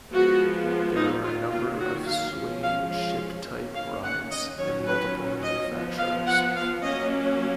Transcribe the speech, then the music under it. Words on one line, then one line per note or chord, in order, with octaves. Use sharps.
There are a number of Swinging Ship-type rides, and multiple manufacturers.
F3 G#3 B3 F#4
D#4
D#3 F#3 A#3 F4
F4
F#4
F5
F3 G#3 C#4
F5
F5
D#3 A#3 C#4
F5
F#5
D#5
D#3 F#3 C#4 C#5
B4
D#5
F3 B3
F5
F#5
F5
F#3 A#3 C#4 D#5